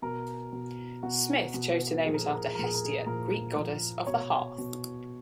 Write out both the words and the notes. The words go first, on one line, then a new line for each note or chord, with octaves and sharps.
Smyth chose to name it after Hestia, Greek goddess of the hearth.
B2 A#4
B2
B2 F#4
B2
A#2 F3 G#4
A#4
G#4
A#4
G#4
A#2 F3 A#4
G#4
A#4
G#4
A#2 F3 A#4
A#2 F3
B2 C#5
B2